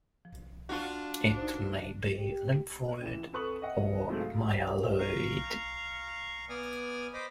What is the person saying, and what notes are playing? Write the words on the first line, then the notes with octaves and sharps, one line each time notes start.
It may be lymphoid or myeloid.
F3
D4 F4 F#4
D#4 C5
G4
C#2 E3 E7
F2 A4 B4 C#6 D#6 F#7
D#5 E5 F#5
G#2 C3 F3 F#3 G#3 A3
F5
F5 A#5 C#6
B3 D5 G#5 D#6 F6
C5 D#5 B5 D6